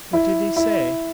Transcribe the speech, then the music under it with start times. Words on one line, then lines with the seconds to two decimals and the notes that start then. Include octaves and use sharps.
"What did he say?"
0.13 E4
0.56 E4